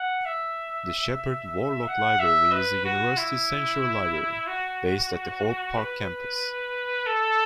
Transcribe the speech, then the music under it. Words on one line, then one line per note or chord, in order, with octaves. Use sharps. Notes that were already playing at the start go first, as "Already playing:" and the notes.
The Sheppard-Worlock Library is the university's central library, based at the Hope Park campus.
Already playing: F#5
E5
F#5
E5
B4
F#4
E4
F#4
B4
A4